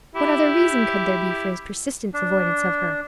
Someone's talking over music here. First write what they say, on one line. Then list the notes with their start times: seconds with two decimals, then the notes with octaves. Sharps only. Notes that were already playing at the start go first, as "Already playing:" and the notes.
What other reason could there be for his persistent avoidance of her?
0.15 E4 G4
2.13 D4